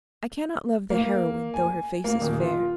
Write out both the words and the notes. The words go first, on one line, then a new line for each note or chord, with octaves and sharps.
I cannot love the heroine, though her face is fair.
A#3
G#5
A#3
D#1
F4